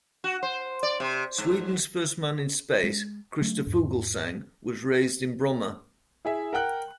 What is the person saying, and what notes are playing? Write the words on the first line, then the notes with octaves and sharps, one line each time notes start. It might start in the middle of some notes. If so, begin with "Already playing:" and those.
Sweden's first man in space, Christer Fuglesang, was raised in Bromma.
F#4
C5
D5
C3
G#2
G#3
F#3 A3
E2 G#2
E4 G#4 E5
A#4 F#5 G5 F#6